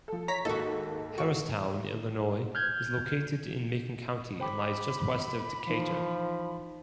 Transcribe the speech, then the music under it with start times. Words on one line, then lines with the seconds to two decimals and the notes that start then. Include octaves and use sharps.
Harristown, Illinois, is located in Macon County and lies just west of Decatur.
0.08 F3 A4
0.28 C#5 A#5 B6
0.45 D#2 G#2 A#3 D#4 F#4 A4
1.18 F#4
2.55 F6 G6 G#6
4.40 C5 G5 B5 D6
5.67 E3 F3 D#4